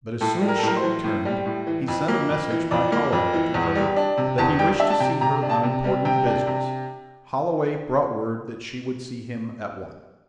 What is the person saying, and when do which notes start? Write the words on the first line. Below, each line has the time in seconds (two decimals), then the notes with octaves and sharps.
But as soon as she returned, he sent a message by Holloway to her, that he wished to see her on important business. Holloway brought word that she would see him at once.
0.21 A2 A4
0.41 G3
0.48 A#4
0.58 A4
0.62 A2 A#4
0.77 C5
0.83 E3
1.04 A2
1.25 G3
1.46 A2
1.67 E3
1.88 F2
2.08 A#3
2.29 F2
2.50 E3
2.71 F2 D5
2.92 A#3
3.12 F2
3.34 E3
3.54 E2
3.75 G3
3.96 D4
4.17 C3
4.38 E2 A5
4.59 G3 G5
4.80 D4 E5
4.90 A5
5.00 C3 G5
5.21 C3 A#5
5.42 D4
5.50 A5
5.63 C3
5.84 G3
6.05 C3 G5
6.26 D4
6.47 C3